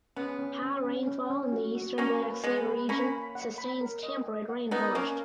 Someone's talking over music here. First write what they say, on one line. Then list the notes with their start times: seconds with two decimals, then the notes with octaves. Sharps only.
High rainfall in the eastern Black Sea Region sustains temperate rainforest.
0.16 G#3 B3 C#4
0.39 C#4
0.62 C#4
0.85 C#4
1.07 C#4
1.30 C#4
1.53 F#4
1.75 F#4
1.98 A#3 C#4 F#5
2.21 B4
2.44 G#3 B3 F#5
2.66 B4
2.89 A#3 C#4 B5
3.12 B5
3.35 F#5
3.58 B5
3.81 A#4
4.03 D#5
4.26 D#5
4.49 F#5
4.71 B3 D#4 A#4
4.94 A#3 C#4 A#4